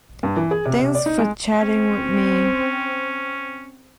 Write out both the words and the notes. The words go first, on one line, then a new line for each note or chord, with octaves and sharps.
Thanks for chatting with me.
G2
E3
G#4
C3
C3
D5
D#4
G#3
C4 C#4